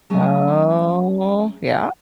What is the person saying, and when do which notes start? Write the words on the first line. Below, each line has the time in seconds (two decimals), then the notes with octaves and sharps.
Oh yeah.
0.10 F#3 A3 C#4 G#4 G#5